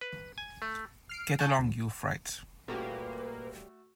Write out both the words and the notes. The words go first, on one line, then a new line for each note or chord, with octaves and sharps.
Get along, you fright!
B4
G#5
A3
F6 C7 D7
G#5 A5 C#6 F#6 G6 A6
D2
A#2 G3 A3 A#3 C#4 F#4 G4 B4